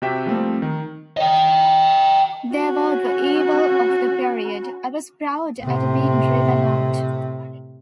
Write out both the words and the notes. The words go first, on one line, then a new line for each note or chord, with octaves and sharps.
They were the evil of the period; I was proud at being driven out.
C3 C4 F#4 G4 E5 G5
F3 G3 A3 A#3 C4
D#3
D#5 G5
C#4 F#4
A2 C3